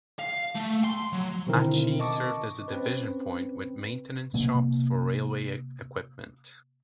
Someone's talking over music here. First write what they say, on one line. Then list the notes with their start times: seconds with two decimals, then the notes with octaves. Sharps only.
Atchee served as a division point with maintenance shops for railway equipment.
0.19 F5
0.55 A3
0.84 C6
1.13 F#3
1.47 B2 D3 D#3 C4 E4 A#4
2.00 D#5 A5 C#6 D6
2.68 C4 C#4 B4
4.34 C3 A#3